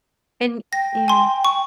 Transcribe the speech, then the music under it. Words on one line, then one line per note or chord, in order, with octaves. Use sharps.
And yeah.
G5 A#6
G#5 C6
C#6